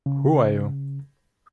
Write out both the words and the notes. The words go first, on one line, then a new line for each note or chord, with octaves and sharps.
Who are you?
C#3